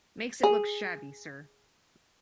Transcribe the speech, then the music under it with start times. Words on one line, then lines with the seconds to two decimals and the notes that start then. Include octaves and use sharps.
Makes it look shabby, sir.
0.43 G#4